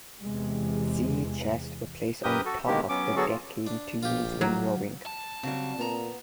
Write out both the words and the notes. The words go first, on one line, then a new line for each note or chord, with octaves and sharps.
Sea chests were placed on top of the decking to use when rowing.
E2 C3 G#3
F#2 G4 A#4 B4 D#6 G6
F#4 A4
B2 D3 D#3 G#3 A#3 G4
F#3 B3 C#4 D6
D3 F#3 B3 F#4 G#4 A4
F4
D4
A#1 F4 G4
F#3
A5
C#3 F#3 G3 C4
A#2 B3 A#5